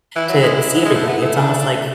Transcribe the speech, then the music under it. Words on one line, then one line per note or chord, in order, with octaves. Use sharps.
to see everybody, it's almost like
E3 E4
F#3
G#3
F#3
G#3
F#3
G#3
A3
B3
A3
D4